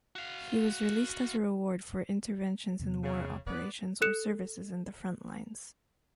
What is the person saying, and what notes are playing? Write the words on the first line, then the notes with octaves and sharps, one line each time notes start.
He was released as a reward for interventions in war operations or services in the front lines.
F#4 F5
E2 C3 B3
C#3
B3 B4 D5
A4 F#6 C#7 E7